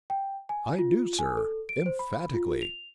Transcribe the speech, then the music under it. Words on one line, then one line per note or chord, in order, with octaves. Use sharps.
"I do, sir, emphatically."
G5
G#5
F4
G#5
A4
D7
C5
B5
F4
F7